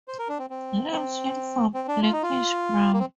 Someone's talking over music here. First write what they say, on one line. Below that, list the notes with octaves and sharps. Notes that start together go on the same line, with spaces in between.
Limbs uniform blackish brown.
C5
A#4
D4
C4
C4
C4
C4
D4
F4
D#4
F4
A#3
C4